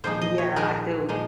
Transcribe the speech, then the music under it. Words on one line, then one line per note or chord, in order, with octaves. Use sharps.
Yeah, I do.
A#2 F3 G#3 D#4 C5
D#5
C#5
A#2 F3 G#3 D#4 A#4
A#2 F3 G#3 D#4